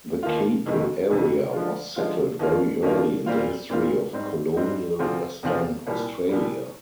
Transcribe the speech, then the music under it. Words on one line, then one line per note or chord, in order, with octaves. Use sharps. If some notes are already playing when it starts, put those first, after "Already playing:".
The Capel area was settled very early in the history of colonial Western Australia.
D#2 D#3 A#3 F4
F2 C3 D#3 G#3
F2 C3 D#3 G#3
D3 F3 G#3 D4 F4
D3 F3 G#3 D4 F4
D#2 D#3 A#3 D4 F4
D#2 D#3 A#3 D4 F4
A#2 G3 C4 F4
A#2 G3 C4 F4
G#2 G3 C4 D#4
G#2 G3 C4 D#4
D2 C3 F3 C4 F4
D2 C3 F3 C4 F4
C2 A#2 G3
C2 A#2 G3